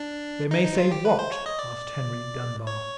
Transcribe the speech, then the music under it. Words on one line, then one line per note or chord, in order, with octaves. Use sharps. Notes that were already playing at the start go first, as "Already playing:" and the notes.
"They may say what?" asked Henry Dunbar.
Already playing: D4
D#4
D#4
F4
G4
B4
C5
C#5
D#5
D5
C#5